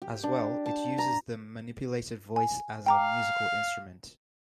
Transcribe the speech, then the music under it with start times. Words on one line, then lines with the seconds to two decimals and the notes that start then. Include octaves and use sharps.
As well, it uses the manipulated voice as a musical instrument.
0.02 G4
0.24 D4
0.66 A5
0.98 A#5
2.36 G#5
2.86 F5 G5 A#5 D6